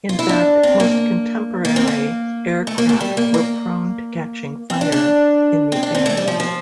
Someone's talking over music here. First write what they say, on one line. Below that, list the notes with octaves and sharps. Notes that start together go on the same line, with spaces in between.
In fact, most contemporary aircraft were prone to catching fire in the air.
F4
E4
D4
C4
A#3
A#3
C4
A#3
A3
A#3
A3
G3
A#3
A#3
C4
D4
D4
C4
D4
C4
A3
G3
F3
F3